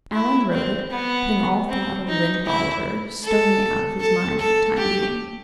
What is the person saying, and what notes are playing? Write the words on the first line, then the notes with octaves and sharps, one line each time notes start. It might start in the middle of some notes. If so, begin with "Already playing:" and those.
Alan wrote it, putting all thought of Lynde Oliver sternly out of his mind for the time being.
E4
C4
B3
C4
D#4
E4
A4
A4
A4
G4